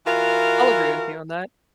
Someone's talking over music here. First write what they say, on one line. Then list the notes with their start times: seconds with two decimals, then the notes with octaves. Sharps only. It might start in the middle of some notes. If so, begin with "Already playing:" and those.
I'll agree with you on that.
0.06 E3 F4 F#4 A#4